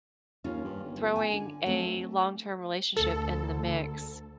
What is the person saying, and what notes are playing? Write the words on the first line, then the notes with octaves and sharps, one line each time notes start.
throwing a long-term relationship into the mix,
D#2 C#4 F4
G2
G1
G#5
D3
F2 A3
D2 A4